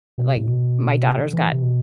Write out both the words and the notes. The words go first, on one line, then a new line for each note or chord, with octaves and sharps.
Like, my daughter's got
B2
C3
A2
B2
C3
D3
E3
C3
B2